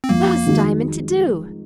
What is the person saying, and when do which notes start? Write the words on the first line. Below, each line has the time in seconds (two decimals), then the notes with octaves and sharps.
What was Diamond to do?
0.04 C4
0.09 F2 A#3
0.46 D#3 G#3 D#4 F#4